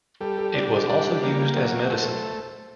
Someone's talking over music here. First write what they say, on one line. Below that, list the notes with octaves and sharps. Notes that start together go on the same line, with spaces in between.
It was also used as medicine.
G3 A4
A4
D4 D5
D#5
G3 D5
A#3
F#3 D5
A3 C5